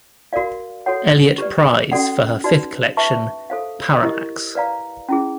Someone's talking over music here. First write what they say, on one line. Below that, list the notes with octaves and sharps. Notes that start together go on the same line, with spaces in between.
Eliot Prize for her fifth collection "Parallax".
F#4 A#4 D5 F5
F#4 A4 C#5 F#5
G4 B4 D5
C#4 F#4 A4 D5 F#5
D#4 F#4 B4 D5
B4 E5 A5 C#6
A4 C5 F5
E4 G4 A#4 D#5
B4 D5 F5 A#5
C#4 E4 G#4